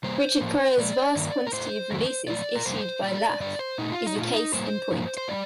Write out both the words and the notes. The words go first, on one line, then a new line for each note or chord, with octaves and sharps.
Richard Pryor's vast quantity of releases issued by Laff is a case in point.
C3 G3 A#3 C5
A2 F3 A#3
A#2 F3 A#3 D5
G2 D#3 A#3
A#4
A2 A3 C5
F2 D#3 A3
A#2 F3 A3 D5
A#4
F2 C3 G3 A#3 C5
A#2 G3 D5
G2 D3 G3 D5
C5
A#2 A3 D#4
F4
D#4
A#2 A3 F4
D#4
A2 G3 A#3 C5
G2 F3 A#3
C5
A2 G3 D5